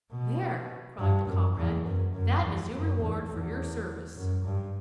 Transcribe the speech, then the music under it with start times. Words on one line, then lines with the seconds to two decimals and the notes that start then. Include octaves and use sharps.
"There!" cried the comrade, "that is your reward for your service!"
0.12 B2
0.99 G2
1.27 F#2
1.56 E2
1.85 F#2
2.14 F#2
2.43 E2
2.72 F#2
3.00 E2
3.30 E2
4.16 F#2
4.45 G2